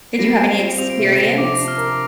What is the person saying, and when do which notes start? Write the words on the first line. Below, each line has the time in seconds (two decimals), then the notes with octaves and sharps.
Did you have any experience?
0.14 C7
0.19 G3 A#6 D7
0.39 C4
0.49 C7 F7
0.58 F4
0.78 C4 F7
0.90 D7
0.99 C3 C7
1.13 A#6 D7
1.18 C3
1.38 F3 D6
1.58 D4
1.68 F6
1.78 A#4